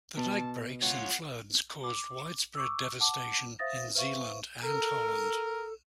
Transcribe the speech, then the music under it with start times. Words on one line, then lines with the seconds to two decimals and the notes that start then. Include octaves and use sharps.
The dike breaks and floods caused widespread devastation in Zeeland and Holland.
0.17 B2 B3 A5
0.82 F4 C#5 F#5
1.84 D6
2.55 C#6 D6 E6
3.00 F#5 A5 D6
3.59 C5 E5 F5 D#6 A6 A#6
3.95 B4 C5 E5 F5 C#6
4.63 A4 A#4